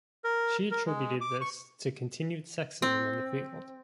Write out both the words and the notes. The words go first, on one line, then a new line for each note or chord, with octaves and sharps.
She attributed this to continued sexism in the field.
A#4
A#4
G#3
D6
C#6
C4